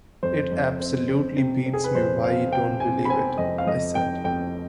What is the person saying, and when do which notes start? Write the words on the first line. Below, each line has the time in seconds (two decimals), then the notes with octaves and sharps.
"It absolutely beats me why you don't believe it," I said.
0.23 F2 C5
0.52 F2
0.80 C4
1.08 C4
1.37 C3
1.66 C3
1.74 G#4
1.84 B4
1.95 F2 C5
2.23 C4 F5
2.52 C3 G5
2.80 C3 G#5
3.05 B5
3.09 C4 G#5
3.38 F2 D#5
3.58 F5
3.67 F2 D#5
3.95 F2 G5
4.24 F2 G5